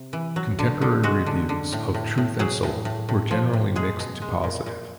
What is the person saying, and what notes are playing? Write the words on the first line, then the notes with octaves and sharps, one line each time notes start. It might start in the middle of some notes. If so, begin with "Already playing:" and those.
Contemporary reviews of "Truth and Soul" were generally mixed to positive.
Already playing: C3
E3
F#3
D3
D3
G#3 F#4
D3
D3
A2
A2
A2
F#3 G#4
A2
A2
A2
F3
A2
G#3 G#4
B2
G#3
A#2
A#2